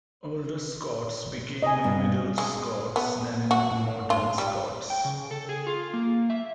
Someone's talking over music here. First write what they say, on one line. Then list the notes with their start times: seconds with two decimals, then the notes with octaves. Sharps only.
Older Scots became in Middle Scots then in Modern Scots.
1.63 D#5 G#5
1.84 G2
2.38 G#3
2.96 B3
3.51 F#4
4.10 F4
4.38 G3
4.90 G5
5.05 C#3
5.31 A4
5.49 G#4
5.67 F4
5.94 A#3
6.30 E5